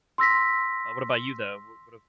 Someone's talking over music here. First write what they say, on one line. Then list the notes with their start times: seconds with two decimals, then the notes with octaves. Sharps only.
Uh, what about you though? What what, uh
0.18 C6 E6 A#6 B6